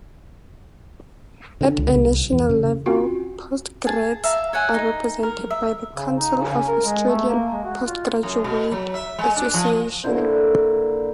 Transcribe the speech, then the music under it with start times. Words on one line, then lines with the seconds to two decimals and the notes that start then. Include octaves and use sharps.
At a national level, postgrads are represented by the Council of Australian Postgraduate Associations.
1.61 D3
1.78 C#2
1.94 C2
2.32 E2
2.49 C#3
2.86 C4 C#4 F4 F#4 F#5
3.87 G#4 A5
4.24 E5 F5 A#5
4.53 C#5 E5 F#5 G#5
4.74 D#4
5.23 A#4
5.51 E5
5.96 C#3
6.15 D#4
6.37 C#3
6.53 C#4
6.68 A#4
6.85 G#3
7.08 A3
7.28 A#3
7.52 G#3
7.64 F#4
7.86 F4
8.23 F#2
8.44 B2
8.72 F#3
8.94 E5
9.19 G#3
9.36 D4
9.54 F3
10.04 D3 A#3 E4 C5